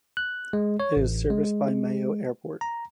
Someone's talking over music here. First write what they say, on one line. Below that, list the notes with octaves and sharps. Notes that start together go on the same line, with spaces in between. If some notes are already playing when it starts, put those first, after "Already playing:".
It is serviced by Mayo Airport.
F#6
G#3
C#5
A1
G#3
A#5